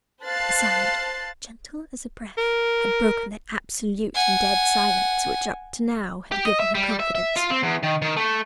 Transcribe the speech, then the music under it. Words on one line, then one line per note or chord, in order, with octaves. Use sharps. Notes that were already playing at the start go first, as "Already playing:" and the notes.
A sound--gentle as a breath--had broken that absolute and dead silence which up to now had given her confidence.
C5 F5 A5 F#6 A6 C7
A#4
F#5 G#5
G4
D#5
E5
G3
E5
E5
F4
C4
E2
D#3
D#3
A3